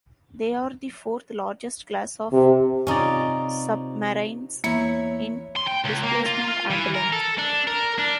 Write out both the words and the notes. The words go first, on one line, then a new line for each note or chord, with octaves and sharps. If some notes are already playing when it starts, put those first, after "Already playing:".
They are the fourth largest class of submarines in displacement and length.
C3
C3 C#4 D#4 F4 D5
E2 A#3 E4 C#5
C6
G5
C#2
A#3
F4
F4
E3
A#4
A4
D4
A#4
D4